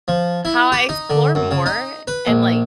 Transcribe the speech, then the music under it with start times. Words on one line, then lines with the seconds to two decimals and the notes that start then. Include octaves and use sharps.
how I explore more, and, like
0.08 F3
0.45 E4
0.72 G4
0.89 D#4
1.10 D3
1.35 F#2
1.51 C#3
1.66 D#4
2.08 B4
2.27 A#1